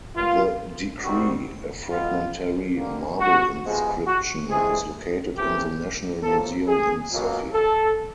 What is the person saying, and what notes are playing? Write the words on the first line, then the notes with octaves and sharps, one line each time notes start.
The decree, a fragmentary marble inscription, is located in the National Museum in Sofia.
A#2 G3 B3 F4
C2 C3 D#3 G3 C4 F#4
B2 G#3 B3 F4
D2 D3 G3 A#3
F#4
F2 C3 F3 G#3 B3
F#4
G2 E3 G#3 C4 G#4
C2 C3 E3 A3 C4 G4
A2 F3 A#3 A4
G#4
C#2 B2 F#3 A#3
A4